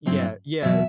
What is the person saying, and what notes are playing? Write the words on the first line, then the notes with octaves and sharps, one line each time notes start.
Yeah, yeah.
G2 F#3 C4 E4
E2 B2 F#3 E5